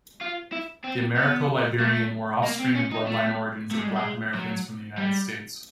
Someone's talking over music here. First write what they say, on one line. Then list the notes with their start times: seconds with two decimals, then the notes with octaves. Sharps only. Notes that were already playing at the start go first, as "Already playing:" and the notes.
The Americo-Liberian were offspring and bloodline origins of black Americans from the United States.
0.21 F4
0.52 E4
0.84 C4
1.17 B3
1.80 A3
2.44 A#3
2.60 C4
2.76 C#4
2.92 D#4
3.07 A3
3.71 A3
3.79 G#3
3.87 G3
3.96 G#3
4.34 F#3
4.97 G3